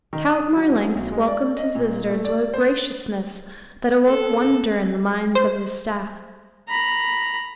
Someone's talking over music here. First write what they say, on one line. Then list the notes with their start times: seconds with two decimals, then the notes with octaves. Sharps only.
Count Marlanx welcomed his visitors with a graciousness that awoke wonder in the minds of his staff.
0.13 D#3
0.30 D#6
0.55 F#3
0.95 B1
1.12 G#3
1.28 D5
1.57 D#5
1.75 A#2
2.10 A3
2.25 D5
2.54 C5
4.05 A4
5.35 C5
6.69 A#5 B5